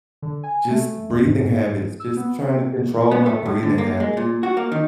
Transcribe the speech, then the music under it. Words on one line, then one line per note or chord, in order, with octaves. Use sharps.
just breathing habits, just trying to control my breathing habit.
D3
G#5
A3
G#2
G#2
E6
B3
B3
A3
A2
D3
A#3
G#3
A#2
F#4
A#3
D#3